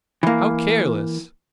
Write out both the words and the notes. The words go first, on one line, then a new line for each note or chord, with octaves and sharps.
How careless!
E3 A#3